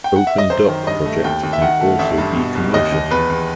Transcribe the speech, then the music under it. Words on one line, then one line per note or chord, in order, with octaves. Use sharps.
OpenDoc project can also be commercial.
G5
F#5
E5
D#5
F#2 C5
D#3
G2 D#5
A3
D#2 G5
D#2
E5
D#3 F#5
A3
A1 E5
G2
B2
C2
D#2 D#5
D#2
E2 B4
E2